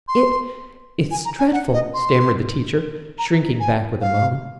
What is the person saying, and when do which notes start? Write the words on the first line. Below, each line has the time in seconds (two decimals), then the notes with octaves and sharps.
"It--it's--dreadful!" stammered the teacher, shrinking back with a moan.
0.08 C6
1.11 G#5
1.25 A#5
1.39 G#5
1.53 F#5
1.73 D#5
1.94 C6
3.19 A#5
3.60 G#5
4.01 F5